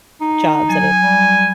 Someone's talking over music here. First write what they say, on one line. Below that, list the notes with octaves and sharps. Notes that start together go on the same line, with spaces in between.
jobs that have
D#4
F#3 G#5
G3